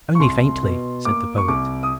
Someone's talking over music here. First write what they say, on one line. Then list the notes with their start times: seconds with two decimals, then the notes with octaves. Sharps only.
"Only faintly," said the Poet.
0.15 C#6
0.20 C2 C6
0.63 B2
1.05 A#3 D6
1.38 C#6
1.48 C2 D6
1.83 D#6